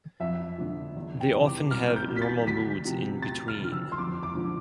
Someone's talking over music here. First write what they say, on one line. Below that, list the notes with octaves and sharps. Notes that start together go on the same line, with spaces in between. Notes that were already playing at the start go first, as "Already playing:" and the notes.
They often have normal moods in between.
F2 E5
D3 F3
E2
G5
C3
E3
D6
C2 F6
G6
B2
B6
A6
D2 B6
C3 F3
D2 A6
F6
D3 F3
E6
C6
F2 D6
D6
D3 F3